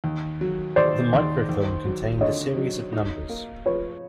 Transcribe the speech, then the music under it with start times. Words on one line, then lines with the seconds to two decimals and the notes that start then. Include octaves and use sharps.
The microfilm contained a series of numbers.
0.04 D#2
0.41 F#3
0.76 D#2 C5 D5
1.13 D#2
1.49 D#2
1.85 F#3
2.21 D3 C#5 D#5
2.56 F#3
2.93 D#4
3.29 A#3
3.66 F3 B4 C#5